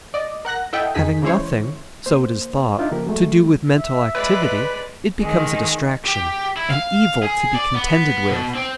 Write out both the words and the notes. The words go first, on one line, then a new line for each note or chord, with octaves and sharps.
Having nothing, so it is thought, to do with mental activity, it becomes a distraction, an evil to be contended with.
D5 D#5
A#4 F#5 F#6 A#6
E4 A4 D#5 E5 F#5 G5
F2 D#4 G#4 B6
C#3 E3 G#3 E4 C5 C#5
A#3 C5
D4 D#4 F4 E5
C#3 F3 A#3 G4 A#4
F#3 G#3 A3
E5
G#3 B4 D5
D#3 G#3
G4
E4
F5
G#4
D5
B3
B2
C4